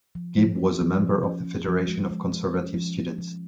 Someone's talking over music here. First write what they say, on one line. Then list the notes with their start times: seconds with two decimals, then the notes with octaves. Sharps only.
Gibb was a member of the Federation of Conservative Students.
0.15 F3
0.38 F3
0.58 A#3
0.81 F3
1.02 C#4
1.23 C#4
1.45 C#4
1.67 F3
1.88 G#3
2.11 G#3
2.32 F3
2.54 C#4
2.75 F3
2.97 F3
3.18 F3